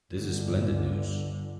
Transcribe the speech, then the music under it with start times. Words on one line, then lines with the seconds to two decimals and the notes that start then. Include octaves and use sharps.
This is splendid news.
0.15 G1 D3